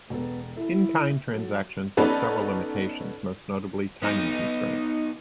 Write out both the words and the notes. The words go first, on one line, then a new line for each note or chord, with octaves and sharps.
In-kind transactions have several limitations, most notably timing constraints.
E1 B3 A4
E4 A4
F#3 A4
B3 C#4 D#4 A4 B4 D5
B3 D#4